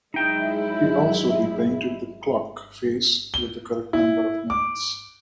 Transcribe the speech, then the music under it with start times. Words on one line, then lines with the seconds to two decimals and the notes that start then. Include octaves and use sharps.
He also repainted the clock face with the correct number of minutes.
0.14 F#3 G#3 D#4 E4 G5
3.34 G7
3.93 E4
4.50 D6